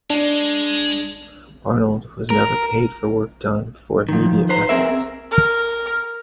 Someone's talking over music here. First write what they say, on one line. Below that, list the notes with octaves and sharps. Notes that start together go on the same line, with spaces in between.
Arnold, was never paid for work done for Immediate Records.
G#3 D4
A#4
D#3 F3
B4 C5 A#5
C4 G#4 A#4 E5
A#4